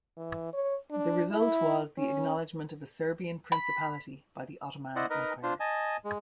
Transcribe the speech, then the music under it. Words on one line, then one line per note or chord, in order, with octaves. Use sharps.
The result was the acknowledgment of a Serbian Principality by the Ottoman Empire.
E3
C#5
D4
E4
C#4
B5
E4 C5 D5 D#5 F#5
D#4 A#4 B4 D#5
D4 F4 C5
D#5 G#5 A5
G#3